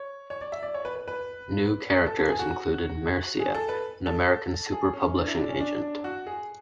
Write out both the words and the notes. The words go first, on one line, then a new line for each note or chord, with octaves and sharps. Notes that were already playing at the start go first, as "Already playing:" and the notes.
New characters included Marcia, an American super publishing agent.
Already playing: C#5
C#5
D5
E5
D5
C#5
B4
B4
B4
A4
A4
G#4
F#4
G#4
A4
B4
A4
G#4
C#4
D4
E4
D4
C#4
D4
D4
F#4
G#4